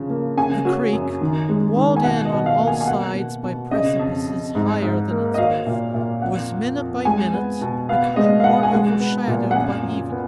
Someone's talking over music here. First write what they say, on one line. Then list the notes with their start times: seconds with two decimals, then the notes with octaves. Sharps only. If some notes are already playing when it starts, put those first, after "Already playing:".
The creek, walled in on all sides by precipices higher than its width, was minute by minute becoming more overshadowed by evening.
Already playing: C#3 F3
0.10 A#3
0.37 C#3 G#5
0.65 F#3
0.93 F#2
1.21 D#3
1.49 G#3
1.76 D#3
1.97 G#5
2.04 B2 F#5
2.25 D#5
2.32 B2
2.46 F5
2.60 A#3
2.67 G#5
2.81 G#5
2.87 B2 F#5
3.15 B2
3.43 B2
3.71 C#3 D#5
3.99 F2
4.27 F2
4.55 G#2
4.82 G#2
5.11 A#3
5.34 D#5
5.38 F#3 F5
5.67 A#2
5.94 A#2
6.22 F2 F#5
6.50 F2
6.77 F2
7.05 G#3 G#5
7.33 B3
7.61 B2
7.89 B3 F5
8.16 G#3 D#5
8.40 F5
8.44 B2 F#5
8.63 G#5
8.72 G#3 F#5
9.00 B3
9.27 A#2
9.51 F#5
9.55 F#2 G#5
9.83 F#2
10.11 B3